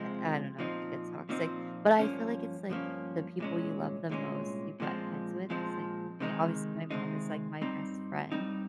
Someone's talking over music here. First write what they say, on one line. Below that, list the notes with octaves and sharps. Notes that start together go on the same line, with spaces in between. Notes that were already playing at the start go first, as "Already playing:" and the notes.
I I don't know, it's, like, a toxic but I feel like it's, like, the people you love the most you butt heads with, it's, like yeah, obviously, my mom is, like, my best friend,
Already playing: C3 F3 G#3 C4
A#2 F3 C4 D#4
A#2 F3 C4 D#4
G2 F3 A#3 C#4
G2 F3 A#3 C#4
C2 A#2 G#3 C#4
C2 A#2 G#3 C#4
A#2 F3 G#3 C4
A#2 F3 G#3 C4
C3 D#3 G#3 C4 D#4
C3 D#3 G#3 C4 D#4
G2 G3 C4 D#4
G2 G3 C4 D#4